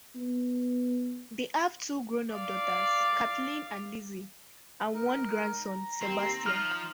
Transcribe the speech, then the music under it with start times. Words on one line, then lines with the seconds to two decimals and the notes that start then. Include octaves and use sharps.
They have two grown-up daughters, Kathleen and Lizzie, and one grandson, Sebastian.
0.16 B3
2.34 D5 F5
4.94 D#4 A#4
5.66 A#5
6.02 D#2 C4
6.46 F3 D#4 F6